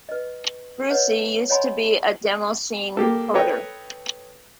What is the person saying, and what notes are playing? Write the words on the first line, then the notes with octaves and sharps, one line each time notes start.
Brussee used to be a demoscene coder.
B4 D#5
B4 C#5 D#5 F#5
C#5 D#5 F#5 G#5 B5 C6
A#3 G4 A4
A4 B4 C#5 D#5 G5